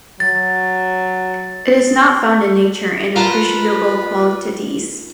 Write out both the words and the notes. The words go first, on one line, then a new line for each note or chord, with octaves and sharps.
It is not found in nature in appreciable quantities.
F#3 A6
F4 A#4 B4 A5 B5